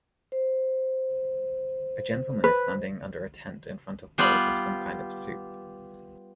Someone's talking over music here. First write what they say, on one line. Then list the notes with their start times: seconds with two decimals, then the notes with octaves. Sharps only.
A gentleman is standing under a tent in front of bowls of some kind of soup.
0.32 C5
2.44 B4
4.18 G3 B3 F4